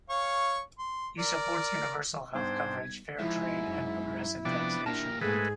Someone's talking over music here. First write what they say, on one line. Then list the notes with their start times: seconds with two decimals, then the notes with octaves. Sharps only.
He supports universal health coverage, fair trade, and progressive taxation.
0.10 C#5 F5 C#6
0.79 C6
1.19 A#4 D5
2.35 G#2 G3 B3 D4 D#4 C5 G5 G#6
3.19 G#2 F3 E4 E5
3.67 F#2
4.45 C3 F3 B3 D4 D5 G5 D6
4.86 A#2 D4 G4 A#4 A5
5.21 G#2 E3 G#3 A3 G#4 B4